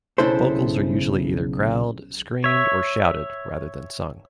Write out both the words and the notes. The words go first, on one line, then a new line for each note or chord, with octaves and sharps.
Vocals are usually either growled, screamed or shouted, rather than sung.
B1 C#3 D4 E4 A4 C5
C#5 E5